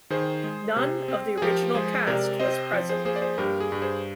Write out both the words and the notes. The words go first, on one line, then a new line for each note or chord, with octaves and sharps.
None of the original cast was present.
D#3 G#4 C5
G#3
C3
C4
G#4
F3 G4 A#4
G#3 G#4 C5
C3 A#4 D5
C4 C5 D#5
F3
G#4 C5
A#3 G#4 C5
D5
G#4 C5
G2 G4 A#4
G#4
G2
G#4 C5